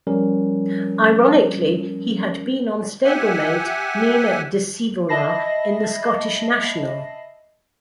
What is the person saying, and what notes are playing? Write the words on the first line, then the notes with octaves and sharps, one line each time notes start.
Ironically, he had been on stablemate, Nine De Sivola in the Scottish National.
F3 G3 C#4 A#4
G4 E5 F#5 G#5
D#5 E5 A5 B5 A#6 C7